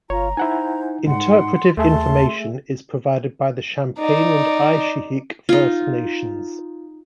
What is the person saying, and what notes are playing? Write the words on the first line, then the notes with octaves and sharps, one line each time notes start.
Interpretive information is provided by the Champagne and Aishihik First Nations.
G1 F4 C#5 A#5
D#4 E4 C5 F#5 G#5
G#2 F#5 C6
D#2 A3 G#4 E5 A5 C6
D#4 D5
D#4 F4